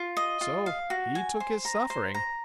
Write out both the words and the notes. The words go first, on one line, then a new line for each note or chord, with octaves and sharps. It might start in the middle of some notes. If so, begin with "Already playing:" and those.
So 'he took his suffering.'
Already playing: F4
D#5
F4
F5
F#4
G#5
C5
A#5
C5
A#5